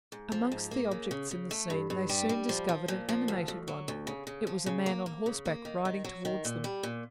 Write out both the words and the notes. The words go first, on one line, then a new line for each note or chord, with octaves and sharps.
Amongst the objects in the scene, they soon discovered an animated one; it was a man on horseback riding towards them.
G#2
F3
G#2
A#3
C#3
C#3
C#3
A3
G2
G2
G3
G3
F3
F3
A#2
F3
D2
D2
F#3
D2
C#3
C#3
F3
C#3
A#3
A#3
C#3
A#3
D#3
D#3
F#3
D#3
A#2
G3
A#2